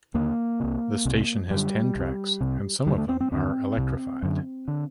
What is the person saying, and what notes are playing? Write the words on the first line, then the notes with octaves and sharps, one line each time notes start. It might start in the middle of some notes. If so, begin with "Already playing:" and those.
The station has ten tracks and some of them are electrified.
D#2 D3 A#3
C2 C3
C2 C3
F#2 D3 G3
C2 C3
C2 C3
D#2 D3 G3
A3
C4
C4
D#2 D3 C4
C2 C3
F#2 D3
D3